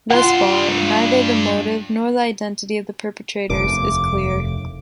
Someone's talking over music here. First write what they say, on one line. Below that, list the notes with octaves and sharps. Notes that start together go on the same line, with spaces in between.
Thus far,neither the motive nor identity of the perpetrators is clear.
G2 F4 F#5 C6
F1 D#2 A2 D6